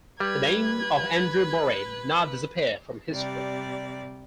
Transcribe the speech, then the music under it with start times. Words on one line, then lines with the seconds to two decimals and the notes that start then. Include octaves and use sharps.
The name of Andrew Moray did not disappear from history.
0.20 G3 B4 G#6
3.11 C3 G3 D5